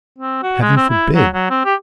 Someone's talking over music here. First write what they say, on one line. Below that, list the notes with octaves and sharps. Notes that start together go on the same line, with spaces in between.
Heaven forbid!
C4
F#4
G#3
C4
E4
F#3
F#3
C4
G4